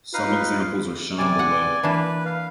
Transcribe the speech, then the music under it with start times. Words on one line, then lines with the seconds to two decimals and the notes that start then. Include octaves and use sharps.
Some examples are shown below.
0.14 D#4 F4 B4 F5
1.19 C3 G3 D5 G#5
1.39 F#5
1.83 E3 A#3 D4 B4
2.26 F5